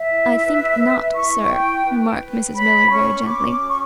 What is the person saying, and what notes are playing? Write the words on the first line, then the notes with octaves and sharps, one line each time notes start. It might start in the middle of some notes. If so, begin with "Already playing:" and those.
"I think not, sir," remarked Mrs. Miller very gently.
Already playing: E5
E4
B4
B4
E4 C#6
E4 G5
B4
B4
C#5 B5
C#4 C#6
C#4 D6
F#4 D6
C#6